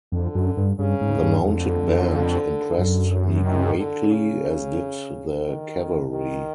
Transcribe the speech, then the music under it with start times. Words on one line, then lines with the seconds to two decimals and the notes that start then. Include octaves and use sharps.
The mounted band impressed me greatly, as did the cavalry.
0.12 F2 D3
0.35 F#2
0.57 G2
0.79 G2 C#3
1.01 G#2
1.23 G2
1.45 F2 D3
2.78 F#2
3.44 D#3
3.78 D3
4.11 C#3
5.43 D#3
6.11 D#3